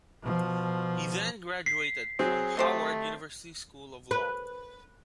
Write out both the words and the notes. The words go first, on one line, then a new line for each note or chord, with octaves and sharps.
He then graduated from Howard University School of Law.
B2 F3
B6 C7
F#3 C4 G#4
A3 G4 C5 D#5
B4